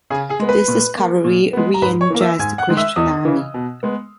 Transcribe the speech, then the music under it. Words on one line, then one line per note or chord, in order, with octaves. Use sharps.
This discovery re-energized the Christian army.
C#3 G#4 G#5
G#4 G#5
G#3 B3
B4 B5
A#2
A#3
A#2
G#3 B3
A#5
G#2 B4 B5
C#5 C#6
E3 A#3
E5 E6
G#2 G#5 G#6
F#5 F#6
D#3 G#3
E5 E6
E2 D#5 D#6
C#3 E3
B2
G#3 B3